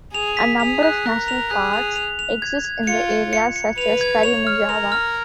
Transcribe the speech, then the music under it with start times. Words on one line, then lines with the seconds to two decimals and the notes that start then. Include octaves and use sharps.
A number of national parks exist in the area such as Karimunjawa.
0.14 G#4 F7
0.37 B6
0.60 G#4 F7
0.83 F#6
1.06 A#4 F#6
1.28 F7
1.50 G#4 F#6
1.73 F7
1.96 F7
2.19 F7
2.42 G#6
2.65 G#6
2.87 F4 C#7
3.10 C#7
3.33 C#7
3.56 C#7
3.78 B4 F7
4.01 G#6
4.23 C#5 F7
4.47 F6
4.69 A#4 F7
4.92 F6